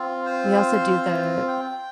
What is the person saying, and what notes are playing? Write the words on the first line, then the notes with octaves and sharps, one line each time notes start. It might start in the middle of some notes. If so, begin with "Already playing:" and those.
We also do the
Already playing: C4 F4
C5
G5